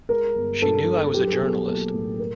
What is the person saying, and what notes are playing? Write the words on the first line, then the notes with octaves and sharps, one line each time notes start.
She knew I was a journalist.
G#3 A#4
G1
G2 A4
G#3
F#3 G4
A4
G#4
B1
A4
A#3 A4
A2
A#4